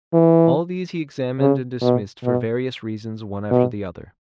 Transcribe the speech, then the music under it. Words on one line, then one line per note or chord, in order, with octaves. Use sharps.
All these he examined and dismissed for various reasons one after the other.
E3
C#3
B2
B2
B2